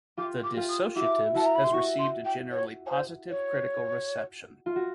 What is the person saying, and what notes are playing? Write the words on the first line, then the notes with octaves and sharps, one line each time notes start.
"The Dissociatives" has received a generally positive critical reception.
F4 G4 D6
D6
F4 G4
D#6
E4 F#4 D6
E4 F#4 A5
A#5
B5
G4 C6
E4 F#4 C#6
C6
G5
C#5
C#5
C5
C#5
F4
F#4